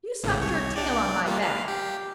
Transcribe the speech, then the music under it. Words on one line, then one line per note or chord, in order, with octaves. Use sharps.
"You slapped your tail on my back!"
G#1 A2 C#3
C2 C#5
D4 D5
G3 A#3 F4
F5
G4